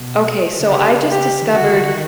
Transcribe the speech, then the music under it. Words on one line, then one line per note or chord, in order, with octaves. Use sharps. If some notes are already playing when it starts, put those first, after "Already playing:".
Okay, so I just discovered
Already playing: B2
D3
C#3 G4
G4
D#3
D3 F#4
D#3
D3
D#3